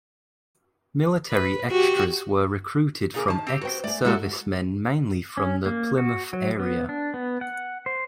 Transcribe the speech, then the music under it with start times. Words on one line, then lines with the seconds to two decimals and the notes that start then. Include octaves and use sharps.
Military extras were recruited from ex-servicemen mainly from the Plymouth area.
1.30 B4
1.71 F#4 G4
3.14 A#2 G#4 A#4
3.28 D#3 A5
3.47 C4 G4
3.61 F#4 B4 C5 G5
3.84 A3 D5 G#5
4.05 G#3 E4 F#4 G4 A4
5.37 C#4
5.66 A#3
5.98 F#4
6.33 F#3
6.60 B3
6.89 D4
7.14 B3
7.41 F#5
7.86 C5